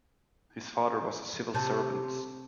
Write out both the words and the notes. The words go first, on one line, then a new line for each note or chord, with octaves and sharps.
His father was a civil servant.
C3 A5 F#6 G6